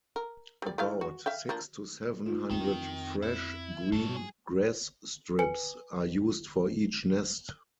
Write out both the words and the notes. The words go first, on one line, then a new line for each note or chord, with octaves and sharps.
About six to seven hundred fresh, green grass strips are used for each nest.
A#4
G3 D5
A3 E4 F5
F#4
E5 F5 G5
F3 A#3 D4
A3 D#4 F4
F2 D#3 C4
E4
G2 C#4 A4
G#4
B4 G#5 C#7